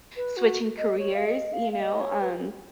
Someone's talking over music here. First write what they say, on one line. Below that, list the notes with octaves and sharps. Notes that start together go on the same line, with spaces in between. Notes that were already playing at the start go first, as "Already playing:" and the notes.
switching careers, you know, um,
B4
F#4
D#5
C#5
F5
D#5
F5
F5
D#5
C#5
B4